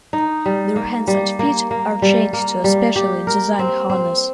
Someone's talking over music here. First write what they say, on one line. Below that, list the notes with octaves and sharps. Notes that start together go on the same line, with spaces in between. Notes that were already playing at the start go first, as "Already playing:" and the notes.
Their hands and feet are chained to a specially designed harness.
D#4
G3
A#3
G3
A#3
A#3
G3
A#3
G3
G4
A#4
C4
C4